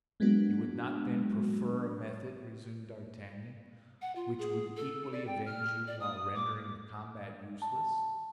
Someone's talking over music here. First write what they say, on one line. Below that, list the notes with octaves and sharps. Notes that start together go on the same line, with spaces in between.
"You would not, then, prefer a method," resumed d'Artagnan, "which would equally avenge you while rendering the combat useless?"
F#3 G#3 A#3 B3 D4 F#4
F#5
F4
G#4
A4
D5
G5
F6
D5
D#6
D6
A5